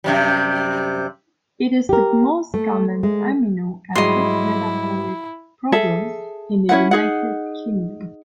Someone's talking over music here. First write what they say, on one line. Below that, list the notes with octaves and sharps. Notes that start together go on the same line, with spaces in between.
It is the most common amino acid metabolic problem in the United Kingdom.
F#2 C3 G3
G4 A#4
A3
G#3
G#2 F#3 G3 E4 D#5 C6
G#4 A4 E5
C#4 E4 B4 F#5
D#4 G#4 F#5